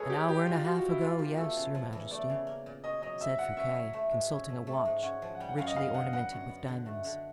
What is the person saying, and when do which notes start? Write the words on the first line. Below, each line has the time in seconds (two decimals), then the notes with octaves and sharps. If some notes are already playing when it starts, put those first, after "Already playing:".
"An hour and a half ago, yes, your majesty," said Fouquet, consulting a watch, richly ornamented with diamonds.
Already playing: G#3 D#4 G#4 A4 B4 C#5
0.10 C4 G4
0.28 D#4 G4
0.47 G#3 F4
0.65 G#3 F#4
0.77 F#4
0.83 C4
0.89 E4
1.01 F3 F4
1.19 E2 G4
1.38 A3 A4
1.57 C#3
1.75 F3
1.93 E2
2.11 A3 D5
2.30 C#3
2.47 A#3
2.66 A#2
2.84 C#4 D#5
3.02 F#3 D#5
3.20 A#3 E5
3.39 A#2 F#5
3.57 C#4 E5
3.76 F#3
3.93 A3 E5
4.11 G#2
4.31 C#4
4.49 F3
4.67 A3
4.85 G#2
5.03 C#4 F#5
5.22 F3
5.35 F#5
5.40 G3 G5
5.49 F#5
5.58 F#2 F5
5.67 D#5
5.76 B3 F5
5.94 D3 F#5
6.13 G3 F#5
6.32 F#2
6.49 B3
6.68 D3
6.86 A3
7.04 D3